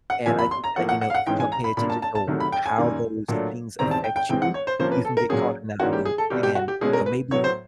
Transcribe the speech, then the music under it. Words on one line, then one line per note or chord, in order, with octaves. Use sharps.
and I think that, you know, if you don't pay attention to w how those things affect you, you can get caught in that loop, and, you know, maybe
F#5
C2 A#2 F3 A#3 G#5
B5
C6
A#5
A2 F3 A#3 F#5
F#5
F#5
F5
F#5
G#2 E3 G#3 C#4 G5
G#5
A#5
B5
A#2 G3 A#3 D4 B5
A5
A5
A5
C2 C3 D#3 F#3 A3
B5
G5
G#5
F#2 D#3 G3 A#3
A#2 F#3 A3 D4
E2 C3 D#3 G3 C4 A#5
A5
G5
G5
C3 E3 G#3 C4 G5
F#5
C#5
C5
C3 F3 A#3 C#4 C5
B4
A4
A#4
A#2 F#3 A#3 C#4 G#4
G#2 E3 G3 A#3 C#4 F#4
G4
G#4
A4
C2 B2 G3 G4
G4
F#4
G4
C2 B2 G#3 C#4 G#4
A#4
B4
A2 F#3 B3 C#5
C5